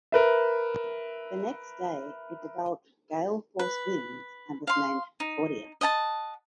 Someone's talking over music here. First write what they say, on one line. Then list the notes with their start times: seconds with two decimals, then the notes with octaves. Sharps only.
The next day, it developed gale-force winds and was named Claudia.
0.12 A#4 B4 E5
3.59 B4
4.67 F5 C6
5.20 D#4
5.81 D#5 F#5 G#5 A5